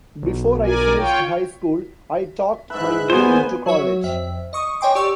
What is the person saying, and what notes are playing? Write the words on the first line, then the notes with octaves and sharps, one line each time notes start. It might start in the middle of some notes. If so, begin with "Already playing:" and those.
Before I finished high school, I talked my way into college.
B1
A#4 D5 G#5
F4 C#5 G5
G#2 B4 E5 F#6
A#2 B3 B4 C5 G#5
F#3 F#4 C#5 E5
F2 E5
D#5 C#6 D#6
C#5 D#5 G5 G#5 C6 D6
G4 D5 C#6 E6